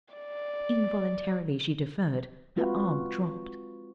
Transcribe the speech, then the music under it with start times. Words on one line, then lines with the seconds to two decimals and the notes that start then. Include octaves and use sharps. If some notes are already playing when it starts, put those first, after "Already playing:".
Involuntarily she deferred, her arm dropped.
0.14 D5
2.56 G#3 C4 F4 F#4 B4